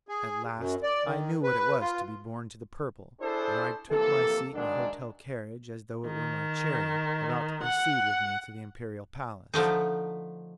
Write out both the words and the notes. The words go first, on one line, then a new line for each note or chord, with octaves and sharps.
At last I knew what it was to be born to the purple, and I took my seat in the hotel carriage as though it were my chariot about to proceed with me to the imperial palace.
G#4
F#2
D5
D#3
B4
F4
D4 E4 G#4 A4 C5
C3 E3 F3 A#3 A4
G#2 D#3 F#3 G#3 D4
D#3
F#5
D3 F3 A3 D#4